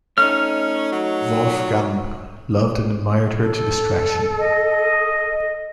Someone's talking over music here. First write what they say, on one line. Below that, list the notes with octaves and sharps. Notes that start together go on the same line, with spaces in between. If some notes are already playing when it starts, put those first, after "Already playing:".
Wolfgang loved and admired her to distraction.
A3 C#4 D#4 F6
F#3
A4
D#5